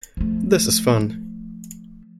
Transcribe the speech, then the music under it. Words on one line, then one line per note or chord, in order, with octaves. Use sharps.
This is fun!
F3 A3